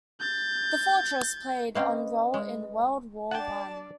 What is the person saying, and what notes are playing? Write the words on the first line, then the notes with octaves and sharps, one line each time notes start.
The fortress played a role in World War One.
G6 A6
A#3 C4 C#4 B4 D#5
G#3
D4 D5 F#5 G5 A5